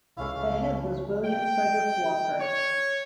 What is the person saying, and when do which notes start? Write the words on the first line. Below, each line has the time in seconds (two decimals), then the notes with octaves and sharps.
The head was William Frederick Walker.
0.17 C#2 A3 C#4 E4 F5
1.24 G5
2.40 C#5